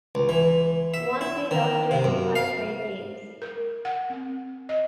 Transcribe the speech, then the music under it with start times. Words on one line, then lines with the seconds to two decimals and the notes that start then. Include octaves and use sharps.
Once we lost twenty-five straight games.
0.15 C#2
0.29 E3
0.94 E5
1.21 E4
1.51 D#3
1.91 C3
2.04 F#2
2.35 F5
3.42 A#4
3.85 F#5
4.10 C4
4.69 D#5